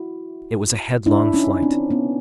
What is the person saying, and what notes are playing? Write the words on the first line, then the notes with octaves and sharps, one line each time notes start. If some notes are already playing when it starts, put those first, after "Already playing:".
It was a headlong flight.
Already playing: E4 F#4
D4 E4
C#4 D#4
C4 D4
B3 C#4